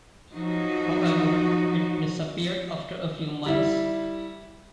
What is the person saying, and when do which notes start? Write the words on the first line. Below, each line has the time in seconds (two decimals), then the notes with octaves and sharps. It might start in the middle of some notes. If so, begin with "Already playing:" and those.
However, it disappeared after a few months.
0.32 F3 F#3 D#4 F#4
3.46 G3 E4